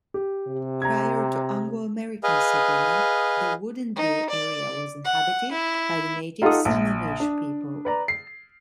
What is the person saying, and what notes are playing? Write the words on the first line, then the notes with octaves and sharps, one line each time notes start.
Prior to Anglo-American settlement, the Woodinville area was inhabited by the native Sammamish people.
G4
C3
A#5 G#6
G#4 B4 D#5 F5
D#4
D5
F#5
E4
D#4 F4 G4 A4 F#5 D#6
A#1
D4
B4 D5 A#5
C7